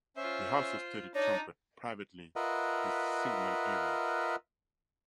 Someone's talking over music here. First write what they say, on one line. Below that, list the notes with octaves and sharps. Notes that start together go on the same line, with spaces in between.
He also studied trumpet privately his Sigmund Hering.
C#4 F4 C5 E5
D4 D#4 C#5 D5 A#5
F4 A#4 B4 D#5 E5 F#5